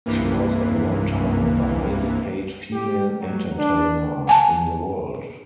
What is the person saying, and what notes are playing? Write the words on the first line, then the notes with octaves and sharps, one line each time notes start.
She was at one time the highest-paid female entertainer in the world.
C2 G2 C3 E3 A#3
G4
F#3
D4
F#5 G#5 A5